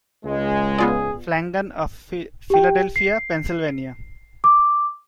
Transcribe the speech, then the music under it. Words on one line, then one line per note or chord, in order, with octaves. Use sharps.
Flanagan of Philadelphia, Pennsylvania.
C#2 G#3
B3 F4 G#4 D5
G4 G5
C7
D6